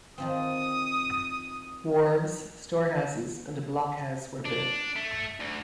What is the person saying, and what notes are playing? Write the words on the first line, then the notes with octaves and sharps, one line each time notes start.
Wharves, storehouses and a block-house were built.
D#3 F3 C4 D#6
D4
A3
D2